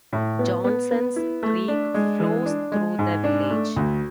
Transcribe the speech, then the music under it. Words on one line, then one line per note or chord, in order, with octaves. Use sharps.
Johnson's Creek flows through the village.
A2
B3
B3
B3
E4
A3
D4
G#3
E3
D4
G#3
G#2
D4
A3
D2